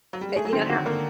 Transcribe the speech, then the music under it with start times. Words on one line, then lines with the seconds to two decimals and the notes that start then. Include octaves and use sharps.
uh, you know how
0.13 F#3
0.21 G3
0.29 G#3
0.36 A3 G#4
0.45 F#3
0.53 D#3 C4
0.61 D3
0.69 D#3 F#4
0.86 D3 A#3